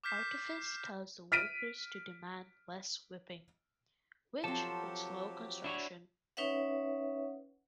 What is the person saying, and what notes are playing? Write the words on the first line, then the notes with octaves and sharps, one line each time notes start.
Artifis tells the workers to demand less whipping, which would slow construction.
D6 F6 G6 B6 C7 E7
F6 B6 D7 D#7
F3 F#3 C4 G4 A4 A5
D4 E4 F#4 C#5
C#4 D#4 B4 C#5 E5 F#5